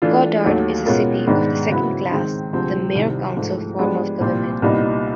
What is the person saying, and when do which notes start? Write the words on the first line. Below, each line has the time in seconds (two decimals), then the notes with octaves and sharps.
Goddard is a city of the second class with a mayor-council form of government.
0.02 E3 A3 D4 F4
0.44 D#2 D#3 F#3 A3
0.85 B2 G#3 C#4 F4 A#4
1.27 G#2 D#3 G#3 B3 D4
1.69 C#3 F#3 B3 E4
2.11 D#3 G#3 C4
2.53 D2 C3 F3 G#3 C4
2.95 C2 C3 D#3 G3
3.37 G#2 F3 A3
3.79 F3 G#3 B3 D4 G4
4.21 C2 A#2 G3 C4
4.62 C2 A#2 G3 B3 D#4